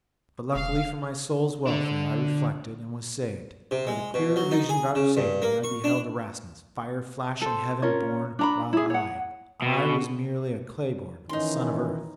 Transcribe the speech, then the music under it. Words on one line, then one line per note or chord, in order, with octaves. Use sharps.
But, luckily for my soul's welfare, I reflected and was saved. By the clearer vision vouchsafed me, I beheld Erasmus, fire-flashing, heaven-born, while I--I was merely a clay-born, a son of earth.
E1 F5
D3 D4
C3
G#3
B2
F#3
D#4
G#4
C#3
G2
A#3
C#6
D4
A4 C5
C#4 F4 A#4 C#5
D4 A#5 B5
E4 G#4
C#5 F#5
B2
D#3 E3 C#4 D#4 C6